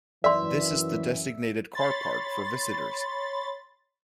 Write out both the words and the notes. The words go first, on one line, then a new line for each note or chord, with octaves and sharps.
This is the designated car park for visitors.
F#2 E3 D5 E5 C6
C#5 B5 C6 A6